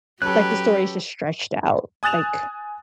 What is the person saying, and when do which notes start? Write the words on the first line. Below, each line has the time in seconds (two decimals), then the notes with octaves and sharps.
like, the story is just stretched out, like,
0.22 F#3 C#4 G4 A4 B4 F#6
2.03 G#5 D#6 F#6 A6 E7 F7